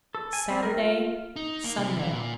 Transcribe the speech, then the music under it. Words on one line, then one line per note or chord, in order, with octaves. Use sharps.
Saturday, Sunday.
A4
G#5
C4
A#4
F4
D#4
A#3
C3
E3
A#2